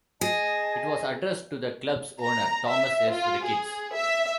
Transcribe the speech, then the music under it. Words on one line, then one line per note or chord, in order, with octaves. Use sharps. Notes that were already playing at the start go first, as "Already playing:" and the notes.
It was addressed to the club's owner Thomas S. Ricketts.
G#4 D#5 G#5 A5
A#5
E5
F4
G#4
E5